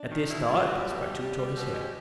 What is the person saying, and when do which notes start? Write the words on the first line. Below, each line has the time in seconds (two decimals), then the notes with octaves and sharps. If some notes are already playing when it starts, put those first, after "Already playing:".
At this thought Passepartout tore his hair.
Already playing: D4
0.10 D#3
0.28 B2 E4
0.46 G3
0.53 F4
0.64 G3 F#4
0.77 G4
0.82 B2
1.01 G3
1.19 G3
1.38 G3
1.55 B2
1.74 G#3